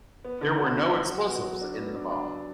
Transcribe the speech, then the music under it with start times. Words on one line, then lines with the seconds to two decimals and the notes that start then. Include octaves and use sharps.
There were no explosives in the bomb.
0.25 B3
0.41 D3
0.59 F#4
0.76 D3
0.93 F#3
1.10 F#4
1.27 B3
1.44 F#3
1.61 D4
1.79 B3
1.95 D4
2.12 D4